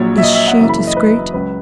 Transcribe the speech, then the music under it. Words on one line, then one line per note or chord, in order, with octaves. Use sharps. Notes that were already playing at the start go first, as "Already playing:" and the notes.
"Is she discreet?"
Already playing: A#1 A#2 F#3 C#5
E5
D#5
E5
F#5
F#2 C#3 E3 A#3 E5
B5
E5
D#5
B4
C#2 C#3 F#3 B4